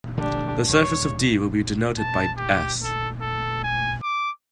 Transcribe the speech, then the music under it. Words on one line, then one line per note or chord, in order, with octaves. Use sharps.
The surface of "D" will be denoted by "S".
D3 F3 A3 D4 G4
D#2 C#3 G3 C#5
A5
G4
A4
A4
G#5
D6